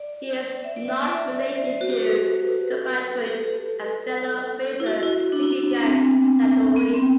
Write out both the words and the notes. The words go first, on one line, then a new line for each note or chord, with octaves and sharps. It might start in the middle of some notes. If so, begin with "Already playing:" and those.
He is not related to compatriot and fellow racer Shigeaki Hattori.
Already playing: D5
E5
D5
E5
D5
C5
F#4
G4
A4
B4
B4
A4
G4
A4
E4
F#4
E4
E4
D4
E4
D4
C4
B3
C4
B3
C4